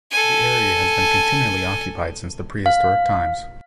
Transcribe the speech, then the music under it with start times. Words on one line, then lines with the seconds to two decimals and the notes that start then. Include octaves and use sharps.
The area has been continually occupied since the prehistoric times.
0.12 A4 G#5
2.66 F5